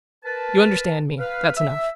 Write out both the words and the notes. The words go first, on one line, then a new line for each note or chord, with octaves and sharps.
You understand me; that's enough.
A#4 B4 A5
B4 F5
E5